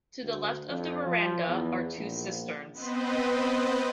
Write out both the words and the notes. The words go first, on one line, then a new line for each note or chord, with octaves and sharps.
To the left of the veranda are two cisterns.
D2
F2
F3
E2
A#1
B3 C4 B4 C5 D#5